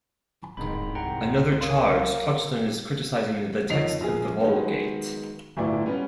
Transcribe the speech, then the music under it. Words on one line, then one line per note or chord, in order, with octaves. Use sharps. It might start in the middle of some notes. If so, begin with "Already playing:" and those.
Another charge touched on his criticizing the text of the Vulgate.
D1 F2 G#2 D#3 B5
C2 F#5 G5 A#5
A#3 C#5 C6 D#6
F2 D#3 D#4 C#5 C7 F7
A#1 G#4
D#3 F#3 G#3 B3
G1 D2 A2 E4 D5 D6
G3 B3 C#4